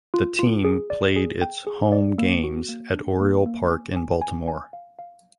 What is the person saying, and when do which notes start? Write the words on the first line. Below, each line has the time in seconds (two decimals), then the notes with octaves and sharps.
The team played its home games at Oriole Park in Baltimore.
0.14 F4
0.39 F4
0.65 G#4
0.90 D5
1.16 G#4
1.41 G5
1.67 G#4
1.92 D5
2.18 A#3
2.44 F#4
2.69 A#3
2.95 D4
3.20 A#3
3.46 A#3
3.71 G#5
3.96 G#5
4.21 G#5
4.48 G#5
4.73 F5
4.99 F5